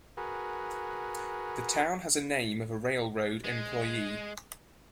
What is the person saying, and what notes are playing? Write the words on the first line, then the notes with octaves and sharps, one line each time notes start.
The town has the name of a railroad employee.
F#4 G#4 A#4 B4
G#3